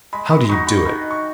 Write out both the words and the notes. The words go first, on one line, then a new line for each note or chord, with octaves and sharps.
How do you do it?
G#3 B5
B5
B5
D#4 F#4 C#6
B5
C#6
D#3 B5
C#6